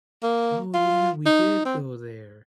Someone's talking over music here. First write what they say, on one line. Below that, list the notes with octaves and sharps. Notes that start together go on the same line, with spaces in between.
"Oh yeah, we did go there."
A#3
F4
D#4
C4